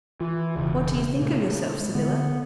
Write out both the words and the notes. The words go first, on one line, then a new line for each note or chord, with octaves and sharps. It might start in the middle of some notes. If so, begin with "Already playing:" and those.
"What do you think of yourself, Sybylla?"
E3 F4
E1 E2 C#3
A#2 A3
G#3
D3 B3